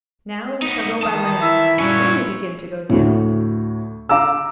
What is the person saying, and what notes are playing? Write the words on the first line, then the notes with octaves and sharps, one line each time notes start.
Now we shall go by land, and really begin to go down!
B3 D#4
D#3 E3 A5 D#6
E4 E5
A#2 G3 C#4 F#4 C#5
D2 A2
F5 A#5 D6 E6